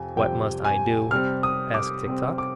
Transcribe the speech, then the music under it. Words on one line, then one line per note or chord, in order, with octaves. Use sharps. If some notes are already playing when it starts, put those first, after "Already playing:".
"What must I do?" asked Tik-Tok.
Already playing: F2 C3 G#5
F2 C3 G3 C4 G5
G#5
C3 G3 C4 F6
D#6
D6
C3 G3 C4
D6